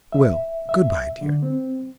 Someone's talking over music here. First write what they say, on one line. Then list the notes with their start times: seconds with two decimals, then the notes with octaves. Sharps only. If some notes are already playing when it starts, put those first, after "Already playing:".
Well, good-bye, dear.
0.12 E5
0.69 E5
1.21 D3
1.43 C4